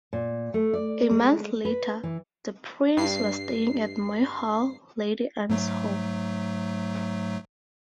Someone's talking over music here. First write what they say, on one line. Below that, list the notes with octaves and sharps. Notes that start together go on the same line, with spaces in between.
A month later the Prince was staying at Moy Hall, Lady Anne's home.
A#2
A3
D5
G#3
B4
E3
G2 C7
G#2 F#3 A3